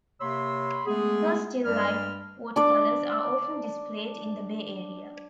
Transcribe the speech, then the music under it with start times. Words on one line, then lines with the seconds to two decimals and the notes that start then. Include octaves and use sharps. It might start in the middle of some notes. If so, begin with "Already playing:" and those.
Her still-life watercolors are often displayed in the Bay Area.
0.20 C3 A#3 C#5 B5 C6 E6
0.86 G#3 A3 B3 G#4
1.65 G2 G3 D5 B5 F6
2.56 D4 D5